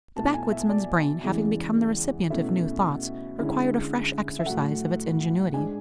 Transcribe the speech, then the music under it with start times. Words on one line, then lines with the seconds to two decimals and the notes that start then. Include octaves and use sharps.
The backwoodsman's brain having become the recipient of new thoughts, required a fresh exercise of its ingenuity.
0.16 B2 A3 E4 A5
0.34 G#5
0.52 E5
0.69 D5
1.23 E2 C#3 E3 G#3
2.30 B2 A3 C#4 E4 E5
3.38 D3 G#3 C#4 E4
4.39 E5
4.46 A2 F#3 A3 F#5
5.53 G#2 G#3 D4 G#5